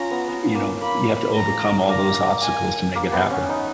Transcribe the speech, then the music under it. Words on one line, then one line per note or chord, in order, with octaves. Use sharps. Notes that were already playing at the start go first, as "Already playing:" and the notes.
you know, you have to overcome all those obstacles to make it happen.
Already playing: C#4 F4 A#5
B3
B3
A#3
A#3 B5
A#5
A#3 A#5
G#5
A#3
B3
C#4
D#4